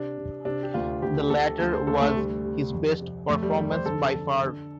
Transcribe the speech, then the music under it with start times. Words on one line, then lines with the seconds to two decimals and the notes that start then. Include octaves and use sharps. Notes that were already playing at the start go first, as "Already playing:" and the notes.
The latter was his best performance by far.
Already playing: C3 D4
0.17 C3
0.45 C3 D4
0.63 G4
0.74 D2 F4
1.02 D2 G4
1.30 D2 A4
1.59 D2 A4
1.73 C5
1.87 D2 A4
2.01 A3
2.16 C3 G3
2.45 C3
2.73 F2
3.01 C3
3.29 F2 A3
3.43 G3
3.57 F2 G4
3.71 C5
3.86 D3 A4
4.14 D3
4.43 D3